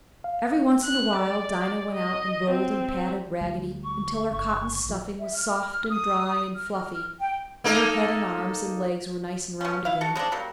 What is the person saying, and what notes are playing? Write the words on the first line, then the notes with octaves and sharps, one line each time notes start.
Every once in a while Dinah went out and rolled and patted Raggedy until her cotton stuffing was soft and dry and fluffy and her head and arms and legs were nice and round again.
F5
F#6
D5
D#5
C4
D2 G3 A3
C#6
G1 C#3 C#6
A#1 F3
E5
F6
D#6
F6
G5
A#3 D#4 A4
B2 C#4
E4 F5
F#4 A4
C#3 G#3 C4 D4
F#3 G3 A#3